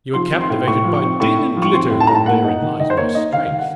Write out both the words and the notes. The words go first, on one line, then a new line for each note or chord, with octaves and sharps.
You are captivated by din and glitter, and therein lies my strength.
F3 C6
C4
C6
A2
A2 C#6
F3
C#6
C4
A2 C#6
A2
F3
C#6
C4 C6
A2
A5
A2 A#5
A5
A#3 F#5
D#4
D#3
D#3 D#5
C5
A#3 C#5
D#4 D#5
D#3 F5
D#3
F#5